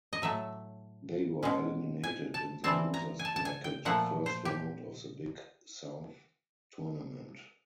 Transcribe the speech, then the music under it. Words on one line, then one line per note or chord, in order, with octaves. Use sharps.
They were eliminated in the losers bracket first round of the Big South Tournament.
D#5
A2 F#3 A3 E5
B2 G#3 C#4
G#5
A5
E3 G3 C4 A5
A#5
G#5
A5
A5
G#5
G5
A#2 F3 A3 F#5
C5
G4